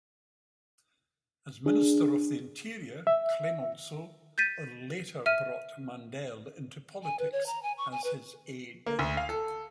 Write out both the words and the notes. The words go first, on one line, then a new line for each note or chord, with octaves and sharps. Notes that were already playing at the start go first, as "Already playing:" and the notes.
As Minister of the Interior, Clemenceau later brought Mandel into politics as his aide.
D4 G#4
E5
G6 A6 B6 D#7
E5 F6 D#7
G#5
B4
C#5
A#5
G#5
C#6
G#5
B4
A#3
D2
F5
A4